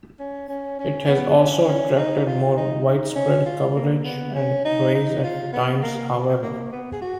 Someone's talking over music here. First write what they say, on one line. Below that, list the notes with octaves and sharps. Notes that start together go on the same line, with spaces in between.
It has also attracted more widespread coverage and praise at times, however.
C#4
C#4
C#4
B3
C#4
C#4
D#4
F4
D#4
D#4
C#4
F4
A#3
B3
C#4
D#4
D#4
F4
B3
A#3
A#3
B3
G#4
F#4